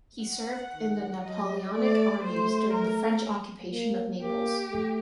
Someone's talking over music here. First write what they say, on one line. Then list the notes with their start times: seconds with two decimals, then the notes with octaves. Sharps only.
He served in the Napoleonic armies during the French occupation of Naples.
0.24 F#5
0.74 D#3
1.23 F#3 D#5
1.73 A3 D5
2.23 A3 C5
2.73 A#4
3.72 A#3
4.21 A#3 G4
4.71 A3